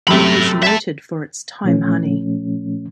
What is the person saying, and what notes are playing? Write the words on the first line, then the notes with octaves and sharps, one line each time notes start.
It was noted for its thyme honey.
F#2 C3 A3 A4 B5
E5 A5
A#2 F3 A3 C#4